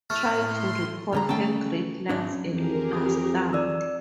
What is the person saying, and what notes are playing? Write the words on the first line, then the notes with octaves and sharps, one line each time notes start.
Try to recall her great lines and you are stumped.
A2 A3 F6
C6
F#2 D3 A#5
C#3 A3 G5 A5
G#1 C#4 D4
F2 G4 G#4 A#4
F2 D#6
D5 E6